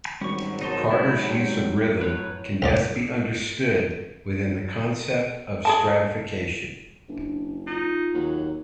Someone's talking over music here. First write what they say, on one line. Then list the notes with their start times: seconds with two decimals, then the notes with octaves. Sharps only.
Carter's use of rhythm can best be understood within the concept of stratification.
0.21 G#1 F#3 G3 C#4 C#6
0.61 B2 D#4 C#5 A5 C6
0.91 E4
1.29 G3 G#3 G5
2.01 F#2 A2 B4 C#5
2.62 A#1 F#2 D5
5.65 G#4 A4 A5
7.08 F#1 D4
7.67 D#4 F4
8.14 D#2 F#3